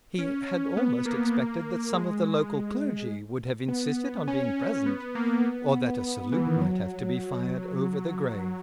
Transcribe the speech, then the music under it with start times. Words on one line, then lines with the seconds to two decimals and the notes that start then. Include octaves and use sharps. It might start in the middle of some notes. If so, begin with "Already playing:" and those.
He had almost expected that some of the local clergy would have insisted on being present, or that a salute might have to be fired over the grave.
0.19 C#4
0.77 B3
1.06 A#3
1.93 G#3
2.52 G#3
3.68 B3
4.28 C#4
4.86 B3
5.00 B3
5.15 A#3
5.44 B3
6.32 E3
6.47 D#3
6.61 F#3